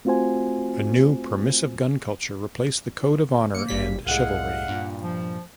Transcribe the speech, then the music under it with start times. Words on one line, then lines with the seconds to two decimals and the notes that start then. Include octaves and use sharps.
A new permissive gun culture replaced the code of honor and chivalry.
0.05 A3 C4 F4 F#4 C5 G#5
3.55 A#3 C#7 D7
3.68 G#1 G3 B6
4.06 C2 A2 G#3 F5 F#5
4.68 G2 A#2
5.03 F3